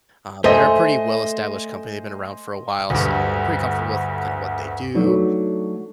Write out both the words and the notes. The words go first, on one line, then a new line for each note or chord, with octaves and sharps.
Um, they're a pretty well established company, they've been around for a while, so, I'm pretty comfortable with kinda what they do,
A3 C5 D#5 G#5
D2 G2
F#3 A3 D4 D#4 B4